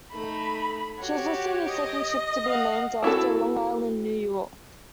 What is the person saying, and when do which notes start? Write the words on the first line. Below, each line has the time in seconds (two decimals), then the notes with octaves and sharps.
She was also the second ship to be named after Long Island, New York.
0.12 A3 D#4 B5
0.99 F#4 G4 C#5
1.69 D#5
2.45 F5 F#5
3.03 C4 E4 F#4 A4